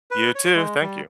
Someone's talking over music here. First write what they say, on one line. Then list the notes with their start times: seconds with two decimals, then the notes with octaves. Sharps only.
You, too. Thank you.
0.11 B4
0.35 C#5
0.55 G#3
0.81 G3